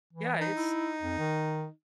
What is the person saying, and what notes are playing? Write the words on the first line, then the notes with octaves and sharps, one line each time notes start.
Yeah, it's
E3
D#4
E4
F2
D#3